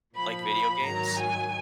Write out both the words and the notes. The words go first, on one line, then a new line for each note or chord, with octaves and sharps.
Like video games?
A#2 F3 B5
B5
G#2 D#3 F#3 A#5
G#5